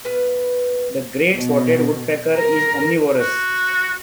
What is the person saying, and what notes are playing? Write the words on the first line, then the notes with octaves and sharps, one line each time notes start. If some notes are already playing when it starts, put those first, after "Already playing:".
The great spotted woodpecker is omnivorous.
B3 B4 F5
B2
A#4
F#4